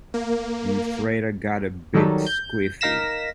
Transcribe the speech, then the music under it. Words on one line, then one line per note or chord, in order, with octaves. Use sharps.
I’m afraid I got a bit squiffy.
A#3
D#3 F#3 G3 D#4 A4
G6
D#4 A#4 F5 A#6 B6 E7